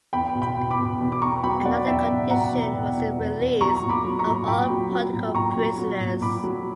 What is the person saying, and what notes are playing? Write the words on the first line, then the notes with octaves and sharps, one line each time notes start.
Another condition was the release of all political prisoners.
E2 G5 B5
B2
G5 B5
B2
B5 D6
B2
E2
D6
E2 A#5 C#6
F#3 G5 B5
E2 D5 F#5
E2 E5 G5
B2
B2 F#5 A#5
E2
B2
E2
E2
E2
F#3 A#5 C#6
A#2
B5 D6
F#3
A#5 C#6
A#2
A#2 G5 B5
F#3
F#3
A#2
A#2 A#5 C#6
F#3
F#3
A#2
A#2 B5 D6
F#3